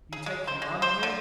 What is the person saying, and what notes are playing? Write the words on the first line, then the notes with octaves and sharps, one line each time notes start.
"You take command here?"
G#4
G#3
C5
G#3
C5
D3